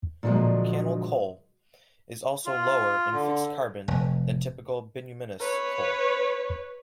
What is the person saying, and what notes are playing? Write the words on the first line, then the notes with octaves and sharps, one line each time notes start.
Cannel coal is also lower in fixed carbon than typical bituminous coal.
A#2 D3 F3 F#3 G#3
F4
D3
F1
B4 C#5